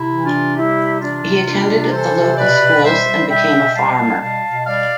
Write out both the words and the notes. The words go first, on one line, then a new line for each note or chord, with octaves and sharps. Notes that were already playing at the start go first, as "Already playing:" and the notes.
He attended the local schools and became a farmer.
Already playing: C3 E4
E3
D4 F4
C3
G3 E4 G4
C3
E3 D4 F4
C3
G3 D4 F4
C3
E3 A4 C5
C3
B2 B4 D5
B2
G3 C5 E5
G3
B2 E5 G5
B2
G3 F5 A5
G3
B2 F5 A5
B2
G3 D5 F5